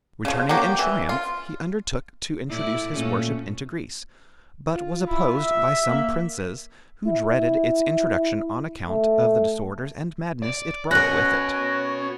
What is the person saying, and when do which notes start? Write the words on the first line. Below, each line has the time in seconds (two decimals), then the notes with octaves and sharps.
Returning in triumph, he undertook to introduce his worship into Greece, but was opposed by some princes, who dreaded its introduction on account of the disorders and madness it brought with it.
0.25 C#3 F3
0.49 F#3 A#3 G4
0.79 E3
1.09 F4
2.49 A2 E4 D5
2.94 A#2 A3 C#4
4.74 F4
5.07 E4
5.37 E5
5.89 A#3
7.07 E4
8.88 A3
10.43 D5
10.91 C#4 F#4 A#4 B4 C#5 F#6 A#6